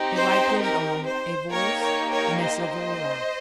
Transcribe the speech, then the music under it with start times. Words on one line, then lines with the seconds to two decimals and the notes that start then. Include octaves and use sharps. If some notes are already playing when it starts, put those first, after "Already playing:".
A white-gloved arm, a voice, and a silvery laugh!
Already playing: C4 D#4 G4
0.14 C5
0.59 A#4
1.05 C5
1.50 A#3 D#4 G4 A#4 C#5
1.81 A#4 C#5
2.11 A#4 C#5
2.41 C5 D#5